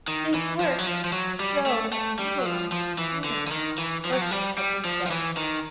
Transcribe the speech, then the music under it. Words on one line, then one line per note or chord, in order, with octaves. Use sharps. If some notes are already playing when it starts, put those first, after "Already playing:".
His works show that he belonged to the Huguenot circles of his days.
D#3
E3
F3
F#3
F3
F3
F#3
G3
A3
A3
G3
F#3
F3
F3
E3
D3
D3
D#3
E3
F3
F#3
F3
G3
G3
F3
F3
E3
D#3